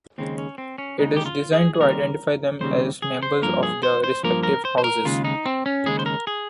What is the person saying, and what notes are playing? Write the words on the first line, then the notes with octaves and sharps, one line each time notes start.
It is designed to identify them as members of their respective houses.
D#2 C#3 G#3 C4
C#4
C4
C#4
D#2 C#3 G#3 D#4
G4
F4
G#4
G#4
D#2 C#3 G3 C4 A#4
D#2 C#3 G3 C4 C5
G#4
C5
G2 F3 A#3 A#4
G#4
C5
C5
G2 F3 A#3 A#4
A#4
C5
C5
A#4
D#2 C#3 G#3 F4
D#4
C4
C#4
D#2 C#3 G#3 G#4
C5
A#4
G#4